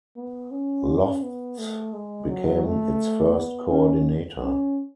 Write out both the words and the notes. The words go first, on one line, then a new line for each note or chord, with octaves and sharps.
Lofts became its first coordinator.
B3
C#4
B3
A3
G#3
F#3
A3
B3
C#4
C#4